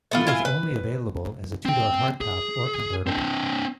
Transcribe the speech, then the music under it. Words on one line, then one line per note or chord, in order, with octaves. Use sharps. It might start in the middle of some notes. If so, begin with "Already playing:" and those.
It was only available as a two-door hardtop or convertible.
A3 B3 F4
E4 F4 G#5
B4
C4 G5
G#4
C4 D4